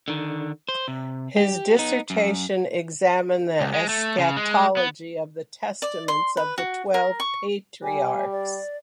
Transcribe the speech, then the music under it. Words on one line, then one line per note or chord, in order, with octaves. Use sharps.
His dissertation examined the eschatology of the Testaments of the Twelve Patriarchs.
D3 D#3
C5
C3
G4
B3 D#4
F#2
C#2
G#3
A3
C#3
G#3
B3
D5
C6
B4
F#4
A#4
C#6
G3 G#5
D5